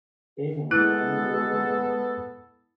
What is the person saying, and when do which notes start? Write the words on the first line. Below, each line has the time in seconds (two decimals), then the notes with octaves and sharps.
They won one gold medal.
0.71 G#3 B3 E4 A4 F#6